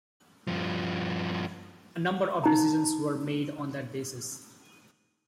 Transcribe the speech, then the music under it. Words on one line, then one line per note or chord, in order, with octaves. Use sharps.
A number of decisions were made on that basis.
G2 F3
D#4 A#5